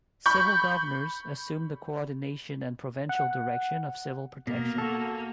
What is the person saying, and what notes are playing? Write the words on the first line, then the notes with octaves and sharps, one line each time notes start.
Civil governors assumed the coordination and provincial direction of civil protection.
B5 C#6 G6
F#5
B2 A#3
F#4 A4